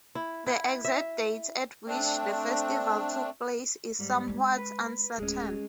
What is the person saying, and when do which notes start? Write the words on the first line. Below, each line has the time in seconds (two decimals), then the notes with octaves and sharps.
The exact date at which the festival took place is somewhat uncertain.
0.15 E4
0.46 E4
0.85 E5
1.86 A3 C4 D4
3.99 G#2 G3
4.28 G#3 C#4
4.57 B4
5.18 D1 G#3 C#4